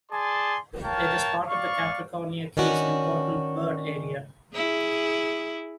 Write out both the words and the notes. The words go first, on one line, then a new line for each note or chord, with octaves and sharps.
It is part of the Capricornia Cays Important Bird Area.
G#4 D5 G#5 A5 C6
A#4 C#5 F5 G5 A5
D5 F5 C#6
D#3 C#4 D4 F#4
E4 G#4